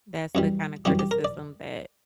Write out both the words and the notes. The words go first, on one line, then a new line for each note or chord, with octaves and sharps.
That's the kind of criticism that
F#2 E3 G3
F#2 E3 G3 G4
G4
A#4
D5